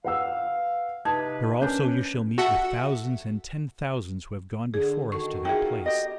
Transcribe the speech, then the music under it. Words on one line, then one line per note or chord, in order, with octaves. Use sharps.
There also you shall meet with thousands and ten thousands who have gone before us to that place.
B4 F5 F#5 E6
C3 D#4 B4 A5 G#6
C#4 D4 A#4 B4 G#5 G6
F#4 A4 E5 F#5
D3 G#4
D#3 F#4 A4 C#6
D#4 F4 G#4 E5 G5
G4 D#5